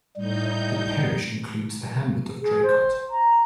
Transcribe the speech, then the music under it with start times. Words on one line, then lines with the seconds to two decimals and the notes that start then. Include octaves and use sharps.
The parish includes the hamlet of Draycott.
0.16 A2 G3 D#4 G6
2.42 G#4
2.62 C5
3.10 A#5